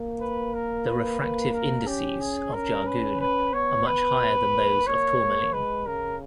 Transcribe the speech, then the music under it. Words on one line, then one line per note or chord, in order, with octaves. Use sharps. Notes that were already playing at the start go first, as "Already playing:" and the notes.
The refractive indices of jargoon are much higher than those of tourmaline.
Already playing: A#3
B4
A#4
B4
A#3
A#4
C#4 G4
G#4
C#4 A#4
B4
B4
B3 C#5
B4
A#3
A#3 C#5
G#3 B4
C#3 A#4